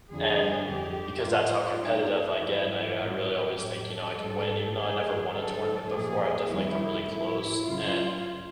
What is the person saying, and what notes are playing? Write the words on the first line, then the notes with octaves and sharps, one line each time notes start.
and because that's how competitive I get, and I I really always think, you know, I can win. Even though I never won a tournament before, I've definitely come really close and,
F2 D3 F3 G#4
F2 D3 F#3 G4
A2 F3 F4
B2 G3 D#4
G#2 E3 G3 E4
A2 E3 G3 F4
G4
A2 F#3 G4
A4
G#2 E3 G3 A4
G2 D#3 G3 G#4
G2 D3 F#3 A4
A#2 F3 G#4
F2 C3 D#3 G3 E4
A2 F3 E4
F#2 C#3 F#3 F4